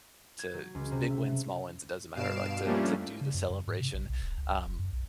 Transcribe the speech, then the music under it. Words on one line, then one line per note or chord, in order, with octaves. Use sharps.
to big wins, small wins, it doesn't matter, like, to to do the celebration, um,
G#6
F#3
C#2
C3
E5
G2 B2 F5 C7 D7 E7
F3 G3 A3 A#3 C#4 D4
C#3
F#2
F#2
G#2
C3
A#1
B1
D1
C#2
F1
F#2
B1